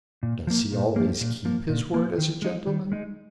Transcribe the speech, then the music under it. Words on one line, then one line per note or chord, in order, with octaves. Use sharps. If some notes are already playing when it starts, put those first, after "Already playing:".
"Does he always keep his word as a gentleman?"
A#2
F3 A#3
A#2
F3 A#3
A#2
F3 A#3
A#2
F3 A#3
D#3
G#3 D#4
D#3
G#3 D#4